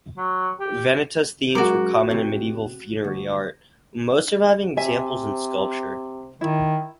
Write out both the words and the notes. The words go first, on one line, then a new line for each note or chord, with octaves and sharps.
Vanitas themes were common in medieval funerary art, with most surviving examples in sculpture.
F#3
G4
F#2 G#3 F#4 A#4 D6
A2 C3
D2
C3 E5 G#5
D#3 E4